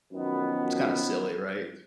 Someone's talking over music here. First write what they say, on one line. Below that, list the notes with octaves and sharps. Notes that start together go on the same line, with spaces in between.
It's kinda silly, right?
F#2 B2 D#3 F3 B3